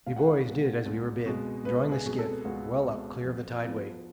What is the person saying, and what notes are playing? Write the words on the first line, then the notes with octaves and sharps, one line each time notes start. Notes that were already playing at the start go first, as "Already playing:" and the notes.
We boys did as we were bid, drawing the skiff well up clear of the tideway.
C#2 F5
F#5
F5
B2 G#3
C#2
B2 G#3
C#2 B4
G#4
B2 G#3
A4
C#2 F#4
B2 G#3
F2
F3 B3